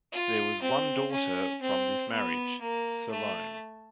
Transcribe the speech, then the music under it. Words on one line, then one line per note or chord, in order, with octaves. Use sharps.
There was one daughter from this marriage, Salome.
F4
C4
C#4
C4
B3
A#3
A3